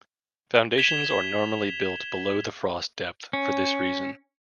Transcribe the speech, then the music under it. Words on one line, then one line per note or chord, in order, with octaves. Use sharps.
Foundations are normally built below the frost depth for this reason.
G#6 B6 E7 F7 G7
C#4